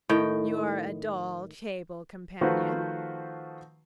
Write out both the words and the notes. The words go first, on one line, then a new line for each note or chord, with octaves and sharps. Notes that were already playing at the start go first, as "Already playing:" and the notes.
You are a dull table-companion.
A2 D#3 G5
D#3 F3 A3 F#4 B4 C5